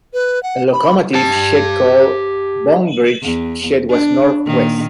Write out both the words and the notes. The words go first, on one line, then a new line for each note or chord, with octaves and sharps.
A locomotive shed called Bonnybridge Shed was north west.
B4
F#5
B5
G4 A5
E2
D4
A#2 D#3 A#3